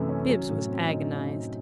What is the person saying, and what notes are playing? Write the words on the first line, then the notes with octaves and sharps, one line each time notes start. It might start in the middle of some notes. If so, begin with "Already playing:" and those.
Bibbs was agonized.
Already playing: F#2 C3 E3 A3
C#4
F#3
A2
C4
D#4